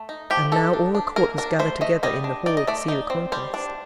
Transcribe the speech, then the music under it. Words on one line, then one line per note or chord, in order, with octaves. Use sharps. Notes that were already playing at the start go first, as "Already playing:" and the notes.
And now all the court was gathered together in the hall to see the contest.
Already playing: A3
D#4
F3 G4
D#4 A4
D4
D4
A#3 A#4
D4 A#4
A3 C5
A3 D#5
G3 D#5
D4
D#4 D5
D#5
A3 D5
D#4
C4
G3 C5
D4